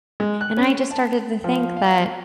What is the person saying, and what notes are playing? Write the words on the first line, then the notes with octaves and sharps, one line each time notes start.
and I just started to think that
G#3
F#6
C#4
A5
F3
F5